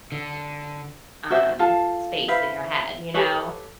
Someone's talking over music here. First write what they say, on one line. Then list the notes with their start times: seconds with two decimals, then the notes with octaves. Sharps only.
um, space in your head, you know,
0.12 D3
1.30 F#4 C5 E5
1.59 F4 A4 F5 A5
2.28 E4 B4 C5 F5
3.14 G4 A4 B4 C#5